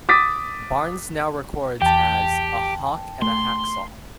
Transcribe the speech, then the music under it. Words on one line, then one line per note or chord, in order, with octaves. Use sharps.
Barnes now records as A Hawk and a Hacksaw.
D6 D#6 A6 B6
E2 G4 G5 A5
A3 C6